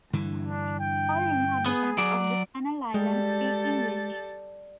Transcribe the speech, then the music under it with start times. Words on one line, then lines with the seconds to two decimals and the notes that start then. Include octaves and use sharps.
All inhabitants of the Channel Islands speak English.
0.13 G2 D3 E3
0.47 D4
0.79 G5
1.66 B3 G#4
1.98 F#3 D5
2.94 G3 G#3 G4 A4 A6